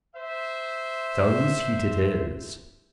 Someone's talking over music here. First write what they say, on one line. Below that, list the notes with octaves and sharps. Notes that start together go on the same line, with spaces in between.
Sun's heat it is.
C5 E5